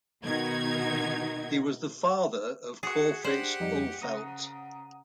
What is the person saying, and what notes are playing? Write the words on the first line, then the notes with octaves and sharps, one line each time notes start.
He was the father of Corfitz Ulfeldt.
B2 D#3 D#4 F#4 G#6
F#4 G#4 F#5
D4 G4 C5 F#5 F#6
F2 G3 D#4
C#3 F#5 A#5 D#6